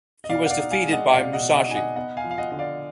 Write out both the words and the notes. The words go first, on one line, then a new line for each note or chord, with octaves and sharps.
He was defeated by Musashi.
D#5
B2 D5 F5
F#5
D5 F5
D#4
F5 G#5
G#3
D#5 F#5
B2 D5 F5
D#5 F#5
B2
D#5 F#5
D#4 G#5
D#5 F#5
B3 D#5 F#5
F5 G#5
F3
F5
D#5 F#5
D3 D#5
D5 F5